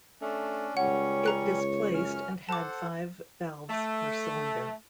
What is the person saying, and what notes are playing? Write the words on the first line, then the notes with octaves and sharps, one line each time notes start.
It displaced and had five valves per cylinder.
A3 C#4 D4
C#2 G3 C#4 C#5 F#5
A#5 F#6
F#2 C#4 F6
A4 C5 F#5 A5 D6
A3